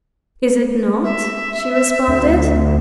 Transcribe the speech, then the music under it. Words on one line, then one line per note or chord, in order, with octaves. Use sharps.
"Is it not?" she responded.
E5
D2